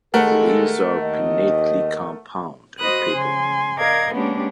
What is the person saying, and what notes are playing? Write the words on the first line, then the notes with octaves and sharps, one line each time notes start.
The leaves are pinnately compound and papery.
D#2 G#3 A3 A4 A#4 F#5
D#2 D#5
F#4 C5 D#5 B5 D#6 F#6
C#3 G#5 C6
A#4 D5 D#5 F5 G#6
G#3 A#3 B3 C#4 D4 G4